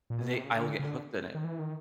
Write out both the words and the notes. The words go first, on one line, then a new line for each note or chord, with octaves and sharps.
they I will get hooked in it,
A#2
B2
C3
C#3
D3
C#3
D3
D#3
E3
D#3